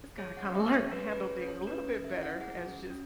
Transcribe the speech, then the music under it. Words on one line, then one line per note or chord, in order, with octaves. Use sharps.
just gotta kinda learn to handle things a little bit better as just
G#4 C#5
F#5
C#4
E5
G#4
C#5
C#4 B4
B4
G#4
C#5
C#4
C#5
C#4 B4
C#4
E5
E4
F#5
G#4 F#5
C#4
C#4